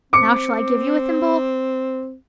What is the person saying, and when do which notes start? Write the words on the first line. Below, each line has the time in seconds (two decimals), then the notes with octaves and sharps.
"Now shall I give you a thimble?"
0.13 C4 D6 C#7